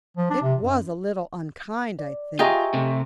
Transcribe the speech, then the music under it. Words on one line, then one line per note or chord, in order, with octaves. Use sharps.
It was a little unkind, I think.
F3
D4
C3
F#2
D5
F4 G4 G#4 D#5 E5 A#5 C#6
C3 A3